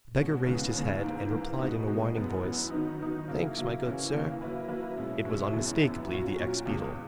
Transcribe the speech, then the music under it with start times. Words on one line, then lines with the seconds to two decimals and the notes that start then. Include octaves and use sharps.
The beggar raised his head, and replied in a whining voice, "Thanks, my good sir." It was unmistakably the ex-beadle.
0.17 B2 G#3 C#4 F#4
0.45 D#2 C#3 E3 G#3 B3
0.74 D#2 C#3 E3 G#3 B3
1.02 G#2 E3 A#3
1.30 G#2 E3 A#3
1.58 B2 G#3 B3 D#4
1.86 B2 G#3 B3 D#4
2.15 F#2 E3 B3
2.43 F#2 E3 B3
2.70 D#3 F#3 B3 D#4
2.99 D#3 F#3 B3 D#4
3.28 C#3 F#3 A#3 E4
3.56 C#3 F#3 A#3 E4
3.84 C#3 E3 A#3 C#4
4.12 C#3 E3 A#3 C#4
4.41 F#3 A#3 E4 B4
4.68 F#3 A#3 E4 B4
4.97 B2 G#3 C#4 E4
5.25 B2 G#3 C#4 E4
5.53 F#2 E3 B3 E4
5.81 F#2 E3 B3 E4
6.09 A#2 F#3 C#4 F#4
6.37 A#2 F#3 C#4 F#4
6.66 E2 C#3 G#3